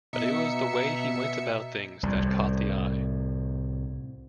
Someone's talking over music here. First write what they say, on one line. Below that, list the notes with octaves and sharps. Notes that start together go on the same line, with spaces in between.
But it was the way he went about things that caught the eye.
B2 D#4 E5 C#7
C2 A2